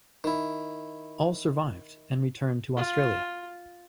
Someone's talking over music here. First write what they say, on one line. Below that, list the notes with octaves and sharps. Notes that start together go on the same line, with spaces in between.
All survived and returned to Australia.
D#3 E4
F4